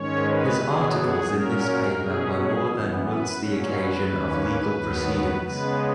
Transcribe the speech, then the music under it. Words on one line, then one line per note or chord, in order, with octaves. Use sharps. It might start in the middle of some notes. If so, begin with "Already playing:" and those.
His articles in this paper were more than once the occasion of legal proceedings.
Already playing: G#2 D#3 G#3 C#4 C#5
B4
B2 F#3 B3 G#4
G#4
A#2 F#3 C#4 A#4
B2 F#3 C#4 G#4
G#4
F#2 E3 B3
B4
A#2 F#3 C#4
B4
D#2 D#3 A#3 C#4
D#2 D#3 F#3 B3
C#3 G#3 B3 B4